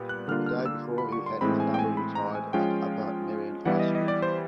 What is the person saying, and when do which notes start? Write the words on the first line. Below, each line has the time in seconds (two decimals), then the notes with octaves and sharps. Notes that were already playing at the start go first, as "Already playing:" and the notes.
The day before he had his number retired at Upper Merion High School.
Already playing: A#2 G3 B3
0.09 F#6
0.28 D3 G3 A#3 D4 F4 F6
0.46 F6
0.66 E6
0.98 B5
1.12 C#6
1.26 C6
1.41 A2 E3 G#3 C4 B5
1.60 G#5
1.74 G5
1.79 G#5
1.97 B5
2.15 A#5
2.35 G#5
2.53 F3 G#3 C#4 F4 G5
3.65 E3 G3 B3 E4 F#5
3.80 D#5
3.95 D#5
4.08 D5
4.22 C5